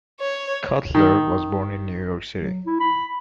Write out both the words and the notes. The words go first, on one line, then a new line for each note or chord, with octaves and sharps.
Cutler was born in New York City.
C#5
D#3
F#3
E4
B5